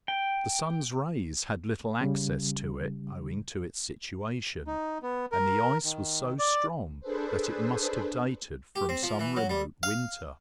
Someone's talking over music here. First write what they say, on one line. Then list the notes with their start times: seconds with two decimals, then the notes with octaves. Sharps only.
The sun's rays had little access to it, owing to its situation, and the ice was so strong that it must have dated from some remote winter.
0.08 G5
2.01 C#3 G3
4.67 D#4
5.02 B3
5.32 A#4
5.84 D#3
6.39 D5
7.00 D4 G#4 A4 B4 C5
8.76 G4
8.89 C4
9.03 F3
9.19 E3
9.36 F#3
9.50 G3
9.83 F5